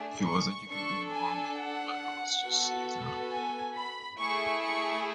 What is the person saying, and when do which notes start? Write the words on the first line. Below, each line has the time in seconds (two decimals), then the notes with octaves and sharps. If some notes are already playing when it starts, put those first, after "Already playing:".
He was educated in Rome by Augustus Caesar.
Already playing: A3 D4 G#4
0.26 C#6
0.70 D4 A4 C#6
1.13 G#5
1.57 F#5
2.44 B3 F#4 A4
3.31 G#5
3.75 B5
4.18 A3 E4 G#4 C#6
4.62 C#6